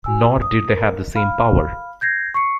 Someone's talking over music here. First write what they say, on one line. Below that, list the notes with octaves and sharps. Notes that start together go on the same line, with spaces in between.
Nor did they have the same power.
F#4 G#5 E6
D#6
A#4
F5 B5 F6
G6 G#6 A#6 C7
C#6 C7 C#7